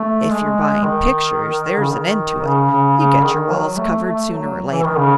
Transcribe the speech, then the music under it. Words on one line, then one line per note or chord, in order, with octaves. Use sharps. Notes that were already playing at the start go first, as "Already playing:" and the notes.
If you're buying pictures, there's an end to it--you get your walls covered sooner or later.
Already playing: A3
G#3
D#3
C#3
D#3
C#3
C#3
C#3
D#3
F#3
A3
A3
F#3
E3
D#3
C#3